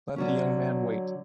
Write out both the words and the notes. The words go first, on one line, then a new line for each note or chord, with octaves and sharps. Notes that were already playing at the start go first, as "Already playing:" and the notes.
Let the young man wait.
D3 F#3 C#4